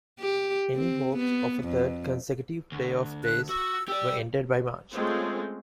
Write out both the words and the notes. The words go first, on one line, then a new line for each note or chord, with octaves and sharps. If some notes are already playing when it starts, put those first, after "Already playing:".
Any hopes of a third consecutive play-off place were ended by March.
G4
C4
B3
F2
D2
F#6
F#4 E6
G4 D5 E6
G#3 A3 C4 C#4 F4 C5